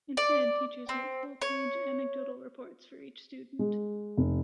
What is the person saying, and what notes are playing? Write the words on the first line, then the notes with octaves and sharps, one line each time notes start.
Instead, teachers write full-page anecdotal reports for each student.
D5
C4
C#5
G#3
F1